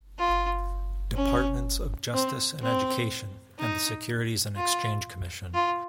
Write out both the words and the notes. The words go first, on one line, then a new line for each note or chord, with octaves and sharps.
Departments of Justice and Education and the Securities and Exchange Commission.
F4
C#4
C4
C4
D#4
F4
F4